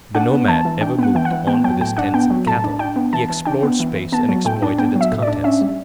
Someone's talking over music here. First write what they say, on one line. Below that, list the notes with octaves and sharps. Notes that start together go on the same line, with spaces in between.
The nomad ever moved on with his tents and cattle; he explored space and exploited its contents.
D4 F#5
B3
E3 A5
E3
D4 G5
B3 F#5
E3 G5
F#5
E3
B3 G5
F#3 G5
A2 G5
D4 F#5
B3 G5
F#3
A2 A5
D4
D4 G5
B3
E3 A5
E3
D4 G5
B3
E3
E3
B3 A5
F#3
A2 G5
D4
B3 G5
F#3
E5
A2
D5
D4
C#4 E5
G3